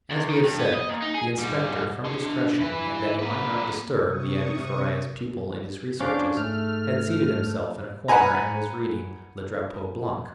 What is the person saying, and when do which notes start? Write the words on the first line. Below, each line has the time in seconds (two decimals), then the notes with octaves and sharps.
As we have said, the inspector, from discretion, and that he might not disturb the Abbe Faria's pupil in his researches, had seated himself in a corner, and was reading Le Drapeau Blanc.
0.11 E2
0.30 D#3
0.44 G2
0.60 B3
0.74 D#5
0.89 A#2
1.03 D#4
1.14 G#4
1.38 G#2 G3
2.05 D4 C6
2.60 E3 B4
3.19 A#3 B4
4.05 C3 C#6 D#6
6.01 C#4 D4 C5 F5 D6
6.37 G#2 A3 F6
8.08 B4 F#5 G#5 A#5